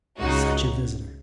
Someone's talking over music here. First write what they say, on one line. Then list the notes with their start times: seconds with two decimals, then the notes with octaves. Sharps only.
Such a visitor!
0.19 C#2 C#3 G#3 D#4 F#4